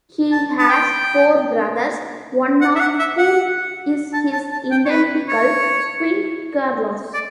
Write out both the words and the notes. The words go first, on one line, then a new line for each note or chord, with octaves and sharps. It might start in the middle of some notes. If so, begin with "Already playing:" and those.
He has four brothers, one of whom is his identical twin Carlos.
A5
A5
G5
F#5
E5
F#5
E5
F#5
A5
A5
A5
G5
C#5
B4
C#5
D5